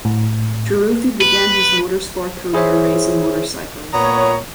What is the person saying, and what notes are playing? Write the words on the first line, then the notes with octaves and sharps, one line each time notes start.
Taruffi began his motorsport career racing motorcycles.
A2
B4
E4 G#4 C5 C#5 E5
A#2 B3 C#5 A#5